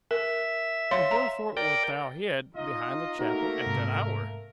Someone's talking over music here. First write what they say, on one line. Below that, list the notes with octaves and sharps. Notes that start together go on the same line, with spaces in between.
'And wherefore wert thou hid behind the chapel at that hour?'
A#4 E5
C#5 F5 C6
A#5
A#4 D5 G5
D#4 F4 D#5
A3 A#3 D#4 F#4 A#4
G#2 C3